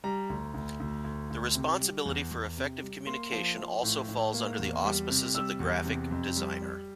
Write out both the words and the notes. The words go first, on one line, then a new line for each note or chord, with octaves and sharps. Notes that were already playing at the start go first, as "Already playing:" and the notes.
The responsibility for effective communication also falls under the auspices of the graphic designer.
G3 A#5
D2
D2
D2
D2
D2
C3
G3
E2
E2
C3
G3
A#3 C6
F3
F3
A2
A2
A#3
E2
G3
C3
G3 E6
E2
C3
F2
G3
G3